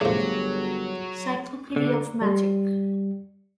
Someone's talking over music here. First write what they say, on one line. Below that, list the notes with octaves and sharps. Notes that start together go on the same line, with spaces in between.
Cyclopedia of Magic.
G1 A2 F3 F#3 G#4
D3
G3